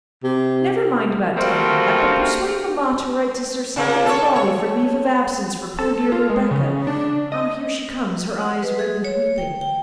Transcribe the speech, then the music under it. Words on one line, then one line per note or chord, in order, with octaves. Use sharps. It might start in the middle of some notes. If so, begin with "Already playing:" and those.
"Never mind about telling that; but persuade Mamma to write to Sir Something Crawley for leave of absence for poor dear Rebecca: here she comes, her eyes red with weeping."
C3
G3 A3 A#3 C4 F4 F#4
A#2 C#3 A#3
A4 C#5
C#5
A4
F4
G#3
C#3
D4
D#5
F#5
B4
G#4
C#5
G5
G5